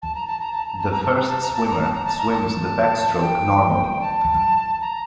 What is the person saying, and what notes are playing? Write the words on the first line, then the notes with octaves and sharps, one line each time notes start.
The first swimmer swims the backstroke normally.
A5
A#5
A5
A#5
A5
A#5
A5
A#5
A5
A#5
A5
A#5
A5
A#5
A5
A#5
A5
A#5
A5
G5
A5
A#5